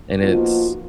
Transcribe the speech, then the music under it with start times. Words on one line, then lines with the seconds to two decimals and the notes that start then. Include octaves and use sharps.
And it's
0.21 F3 A#3 B3 D#4 F4 F#4